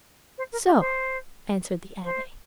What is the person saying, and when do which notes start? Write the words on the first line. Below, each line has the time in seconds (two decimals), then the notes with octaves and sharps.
"So," answered the abbe.
0.38 C5
0.52 A#4
0.66 G4
0.80 C5
2.05 C5